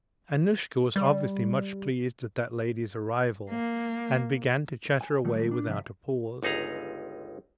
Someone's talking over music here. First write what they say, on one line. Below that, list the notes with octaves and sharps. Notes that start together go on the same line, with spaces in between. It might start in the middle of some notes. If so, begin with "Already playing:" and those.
Annushka was obviously much pleased at that lady's arrival, and began to chatter away without a pause.
G3
A#3
G#5
D#3 F#3 G3 A3
D4
C3 F3 E5
G1 C#2 D#4 G#4 A#5